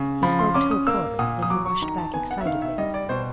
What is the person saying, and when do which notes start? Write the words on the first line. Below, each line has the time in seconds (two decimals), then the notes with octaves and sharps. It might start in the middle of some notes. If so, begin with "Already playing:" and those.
He spoke to a porter; then he rushed back excitedly.
Already playing: C#3
0.23 F3 B5
0.39 C6
0.54 C#4 D6
0.71 D#6
0.87 A#3 E6
1.19 A#2 D#6
1.43 D#6
1.50 F#3 D6
1.66 C#6
1.82 D#3 A#5
1.98 A5
2.14 B3 G#5
2.31 F#5
2.41 E5
2.45 D#3 F5
2.62 E5
2.78 G3 D#5
2.94 D5
3.09 B2 C5